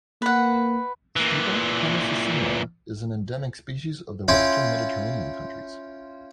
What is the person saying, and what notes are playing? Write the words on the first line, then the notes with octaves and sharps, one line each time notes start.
"Stipa tenacissima" is an endemic species of the Western Mediterranean countries.
A#3 B4 F#5
A#2 E3
C#4 E4 F4 F5 G5 C6